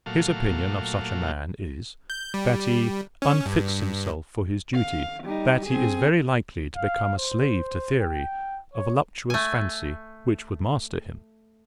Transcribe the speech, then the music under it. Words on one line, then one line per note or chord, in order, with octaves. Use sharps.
His opinion of such a man is, that he unfits himself for his duty, that he is very likely to become a slave to theory--a voluptuous fancy, which would master him.
A#2 F#3 A3 F5
G6
G3
C#4
G2
F5
G3 D#4
C4 G#4
F5
C5
G5
C#5
A3 G#5